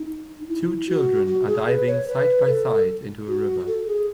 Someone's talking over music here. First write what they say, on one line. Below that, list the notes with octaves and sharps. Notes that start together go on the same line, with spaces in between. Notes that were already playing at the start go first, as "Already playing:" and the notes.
Two children are diving side by side into a river.
Already playing: D#4
E4
F#4
F#4
G#4
B4
C#5
B4
A4
F#4
A4
G#4